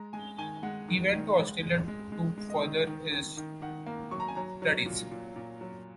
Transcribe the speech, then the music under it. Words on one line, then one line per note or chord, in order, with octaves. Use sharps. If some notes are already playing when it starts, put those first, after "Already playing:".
He went to Australia to further his studies.
Already playing: G#3 A#5
G#3 G#5
D#3 G#5
G#3 F#5
D#3
D#3
G#3
G#3
G#3
G#3
G#3
D#5
D#3
D#3
D#3
D#3
D#3 F#5
A#3
F#3 C#6
A#5
G#5
F#3 A#5
F#3
A#2
A#2
A#2
F#3